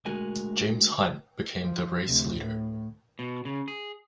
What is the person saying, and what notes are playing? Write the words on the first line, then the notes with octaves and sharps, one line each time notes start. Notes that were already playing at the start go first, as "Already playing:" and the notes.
James Hunt became the race leader.
D2 G#3 F#4 A#4 G#5
F3
D2 C3
A2
B2
C#3
G#4